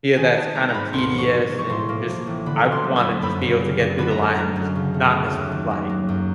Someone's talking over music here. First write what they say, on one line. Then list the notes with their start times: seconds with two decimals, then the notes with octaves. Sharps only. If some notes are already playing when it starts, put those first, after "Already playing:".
yeah, that's kind of tedious and just I wanna just be able to get through the line and just not miss my flight.
0.16 D#3 G#5
0.36 B3 A5
0.55 G3 A#5
0.69 A#5
0.74 G#2 B5
0.93 D2 C6
1.12 F3
1.18 C#6
1.31 C3
1.51 E1
1.59 C#6
1.69 A2 C6
1.89 A#3
2.08 F3
2.27 A1
2.46 D3 B5
2.65 A#3
2.72 C6
2.84 F#3
2.97 B5
3.03 F2
3.22 F#2 B5
3.41 F#1
3.61 C#3
3.80 F#1
3.98 D3 B5
4.11 A#5
4.18 F#2 A5
4.35 F#3 A#5
4.56 F#2
4.76 C#3
4.94 A3
5.13 F#3
5.33 D#2
5.52 D#3
5.71 A#3
5.89 F#3
6.09 F#2